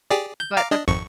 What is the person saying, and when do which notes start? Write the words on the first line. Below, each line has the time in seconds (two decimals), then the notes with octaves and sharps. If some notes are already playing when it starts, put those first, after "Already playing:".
but the
0.11 G4 G#4 D5
0.40 G6
0.57 F5 A#5 D6
0.71 D4 D#5
0.88 G#1 F2 C#6